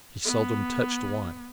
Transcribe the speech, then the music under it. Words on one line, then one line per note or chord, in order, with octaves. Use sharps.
He seldom touched wine.
B3